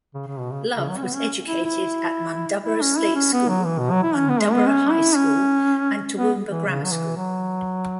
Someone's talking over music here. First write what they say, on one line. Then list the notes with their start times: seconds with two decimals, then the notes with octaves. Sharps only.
Love was educated at Mundubbera State School, Mundubbera High School and Toowoomba Grammar School.
0.14 C#3
0.27 C#3
0.39 B2
0.52 C#3
0.77 C#3
0.89 F#3
0.97 C#4
1.03 B3
1.14 C#4
1.48 E4
1.65 E4
2.65 E4
2.82 C#4
2.98 E4
3.15 C#4
3.33 B3
3.49 F#3
3.65 E3
3.79 B2
3.91 F#3
4.03 E4
4.16 C#4
4.29 B3
4.41 G#3
4.53 B3
4.66 C#4
4.91 E4
5.16 C#4
6.17 B3
6.50 E3
6.67 C#3
6.84 F#3
6.92 E3
7.16 F#3